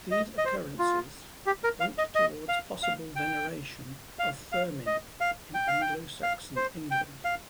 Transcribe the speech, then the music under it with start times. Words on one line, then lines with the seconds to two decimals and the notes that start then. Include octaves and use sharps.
These occurrences point towards possible veneration of Firmin in Anglo-Saxon England.
0.11 D#5
0.38 D#5
0.45 C5
0.79 F4
1.46 G4
1.64 A#4
1.80 F5
1.98 D#5
2.15 D#5
2.48 F5
2.83 F5
3.16 G5
4.19 F5
4.52 F5
4.86 D#5
5.21 F5
5.54 G5
5.68 F5
5.81 G5
6.23 F5
6.56 C5
6.91 G5
7.25 F5